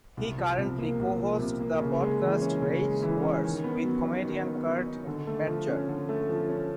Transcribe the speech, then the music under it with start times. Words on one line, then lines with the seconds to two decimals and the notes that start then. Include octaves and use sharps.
He currently co-hosts the podcast "Race Wars" with comedian Kurt Metzger.
0.17 C2
0.38 F3
0.58 C3
0.78 A#3
0.99 C2
1.19 F3
1.39 C3
1.60 A#3
1.80 C#3
2.00 G#3
2.21 E3
2.42 C#4
2.62 C#3
2.83 G#3
3.02 E3
3.23 C#4
3.43 D#3
3.64 B3
3.84 F#3
4.05 D#4
4.25 D#3
4.45 B3
4.66 F#3
4.86 D#4
5.07 D3
5.27 A3
5.47 F3
5.67 C#4
5.88 D3
6.09 A3
6.29 F3
6.49 C#4